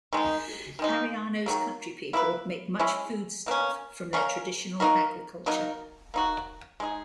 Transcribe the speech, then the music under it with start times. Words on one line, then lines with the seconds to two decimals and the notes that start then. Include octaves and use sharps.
Ariano's countrypeople make much foodstuff from their traditional agriculture.
0.13 D#3 G#3 D#4
0.79 D#3 G#3 D#4
1.46 D#3 F#3 A#3
2.13 A#3 E4 G#4 B4
2.79 G#3 C#4 E4
3.46 B2 A#3 C#4
4.13 A#3 C#4 F#4 A#4
4.80 A#3 D#4 F#4 A#4
5.46 F#3 A#3 D#4 A#4
6.14 A#3 D#4 F#4
6.80 G#3 D#4 G#4